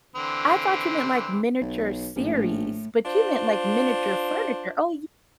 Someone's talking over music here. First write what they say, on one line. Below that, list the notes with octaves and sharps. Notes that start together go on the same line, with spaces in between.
I thought you meant like miniature series, but you meant, like, miniature furniture. Oh
D3 E3 C4
B1
A#1 A2
D4 F4 C5